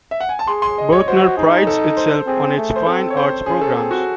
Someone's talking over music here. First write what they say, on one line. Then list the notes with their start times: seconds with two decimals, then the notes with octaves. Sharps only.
Berkner prides itself on its fine arts programs.
0.11 E5
0.21 F#5
0.29 G#5
0.39 A5
0.47 G#4 C6
0.62 C6
0.78 D#5
0.92 C#5
1.07 F#4 C5
1.37 D#4 G#4
1.67 A4
1.97 C5
2.27 C4 G#4
2.57 A3
2.76 C5
2.86 C4 A4
3.10 C#5
3.17 C5
3.46 C#4 G#4
3.61 A4
3.76 C4 G#4
3.91 F#4